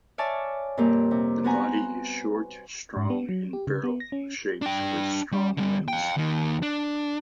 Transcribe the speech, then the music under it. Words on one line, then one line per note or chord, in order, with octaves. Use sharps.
The body is short, strong and barrel-shaped, with strong limbs.
C#5 D5 E5 F5 G#5 A5
F2 A#2 G3 A#3 G4
C3
B3 C4 F#4 B4 G#5 A#5
G#2
B3
F#3
G4
C#3
B3
A#6
C#4
D4 G5
G3
D3 G3
F5 G5
D#2 D#3
D4